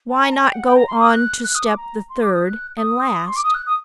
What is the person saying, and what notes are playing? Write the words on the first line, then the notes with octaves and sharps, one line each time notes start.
Why not go on to step the third, and last?
A5
A#5
A5
G5
F#5
G5
A#5
C6
D#6
F#6
F#6
D#6
D6
A#5
C6
D6
D#6
F#6
D#6
C6
D6
D#6
F#6
D#6